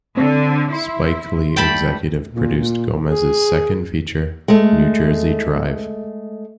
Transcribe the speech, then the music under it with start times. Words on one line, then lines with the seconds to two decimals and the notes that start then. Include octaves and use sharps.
Spike Lee executive produced Gomez's second feature, "New Jersey Drive".
0.17 D3 C4
0.72 E4 C6
1.56 G3 A3 G5 A5 B5
2.30 A#2
2.57 A#2
3.07 G#4
4.48 G#3 A3